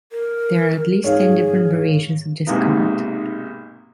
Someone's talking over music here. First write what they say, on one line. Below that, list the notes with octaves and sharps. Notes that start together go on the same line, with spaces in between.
There are at least ten different variations of this card.
A#4
G#2 G#4 C#5 F5
B1 G#2 C3 A#3 B3 D#4